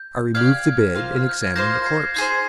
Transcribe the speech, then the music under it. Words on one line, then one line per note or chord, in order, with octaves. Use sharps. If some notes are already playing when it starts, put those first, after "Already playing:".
I removed the bed and examined the corpse.
Already playing: G6
G4 D5 F5 F6 G#6
A#3 F4 C5 F5
F6
G6
G#6
A#3 F4 C5 F5 G6 A#6
G#6 C7
D#4 G#4 C5 G#6 C7